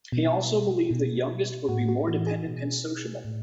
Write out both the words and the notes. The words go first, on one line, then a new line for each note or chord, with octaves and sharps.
He also believed the youngest would be more dependent and sociable.
B2
B2
A2 F#4
F#4
E3 F#4
G#4
B2
A2